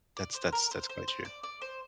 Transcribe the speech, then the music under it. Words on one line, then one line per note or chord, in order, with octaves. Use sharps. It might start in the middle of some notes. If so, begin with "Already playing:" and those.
That's that's that's quite true.
D5
C5
A#4
C5
C5
C5
D5
D5
C5